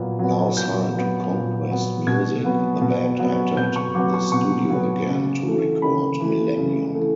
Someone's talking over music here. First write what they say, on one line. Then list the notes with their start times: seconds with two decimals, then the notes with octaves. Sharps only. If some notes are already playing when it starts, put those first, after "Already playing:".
Now signed to Conquest Music, the band entered the studio again to record "Millennium".
Already playing: A#2 F#3 B3
0.19 F#3 B3
0.57 A#2 G6
0.94 F#3 B3
1.32 A#2
1.70 F#3 B3
2.07 B2 G#6
2.44 F#3 B3
2.82 B2
3.19 F#3 B3
3.57 B2 G6
3.76 C#6
3.95 F#3 B3 D6
4.14 C#6
4.32 B2 C#6
4.70 F#3 B3
5.07 C#3
5.45 E3 A3
5.82 C#3 B5
6.20 E3 A3
6.58 C#3
6.95 E3 A3